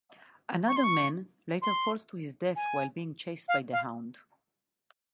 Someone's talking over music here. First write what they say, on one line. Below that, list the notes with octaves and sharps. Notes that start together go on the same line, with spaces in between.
Another man later falls to his death while being chased by the hound.
C#6
C6
C#6
C6
G#5
F5
F5